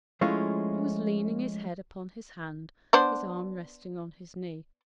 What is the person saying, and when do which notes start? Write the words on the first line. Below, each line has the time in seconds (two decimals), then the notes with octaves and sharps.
He was leaning his head upon his hand, his arm resting on his knee.
0.21 F3 G#3 A3 C#4 E4 F4
2.93 B3 D4 C5